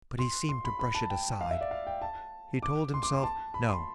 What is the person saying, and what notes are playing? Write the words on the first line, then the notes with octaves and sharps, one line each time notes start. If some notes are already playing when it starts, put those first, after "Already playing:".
But he seemed to brush it aside. He told himself no.
C6
C6
B5
B5
A5
G5
F5
E5
D5
F5
G5
A5
D6
C6
D6
C6
A5
B5
C6